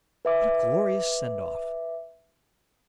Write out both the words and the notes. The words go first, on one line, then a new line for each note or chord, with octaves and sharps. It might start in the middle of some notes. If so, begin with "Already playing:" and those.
What a glorious send- off!
B4 E5 D6